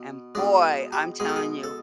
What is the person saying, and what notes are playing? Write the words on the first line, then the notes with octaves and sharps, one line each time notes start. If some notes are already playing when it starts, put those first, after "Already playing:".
And boy, I'm telling you,
Already playing: B2
B2 G#3 D4
G4
B2 G#3 G#4
A4
G#4
A4